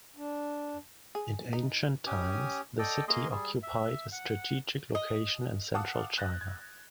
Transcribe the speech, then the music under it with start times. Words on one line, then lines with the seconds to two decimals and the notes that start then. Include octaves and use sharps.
In ancient times, the city occupied a strategic location in central China.
0.17 D4
1.15 G#4
1.53 D#4
2.06 C#4 G4 G#5 D#6
2.79 A4 D5 D#5 G5
3.08 A#3 G#4 D#5 C6
3.31 G3 G#4
3.63 E5
4.12 F#5
4.95 D#5
5.74 F5 F#5 A5 D6 D#6
6.18 F#6 G6 A6 A#6
6.41 G#6